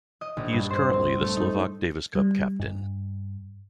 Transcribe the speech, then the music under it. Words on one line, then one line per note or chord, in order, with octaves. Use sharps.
He is currently the Slovak Davis Cup captain.
D#5
A#1
G2
C5
C4
A3
D#4
G3
G2